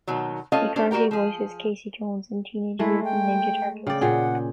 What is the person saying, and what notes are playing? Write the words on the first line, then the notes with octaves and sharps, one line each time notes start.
He currently voices Casey Jones in "Teenage Mutant Ninja Turtles".
B2 D#3 F#3
A3 C#4 F4 A4 D#5 F5
C#4 D4 G4 C5
G3 F#4 G4 A#4 G5
F3 G#4
G#3 A3 E4
G5
C#3 D5 G5
A#2 G#4 F#5 G5